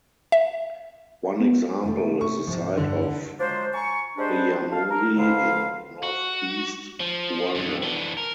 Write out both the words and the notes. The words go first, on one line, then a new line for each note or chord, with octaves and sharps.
One example is the site of Ryamuri in northeast Rwanda.
E5
B3
C3 A3 C#4
C#6
G#2 C3 F3 A5
G2 D3 C#5
F#5
F3 F#3 G#3 D4 C5
G#5 A#5 C#6
G3 G#3 D4 B4 C5
A4 F5
A#4
C#2 G#2 D3 F5
F#4
F3
F2 D3
E3 D4
A#4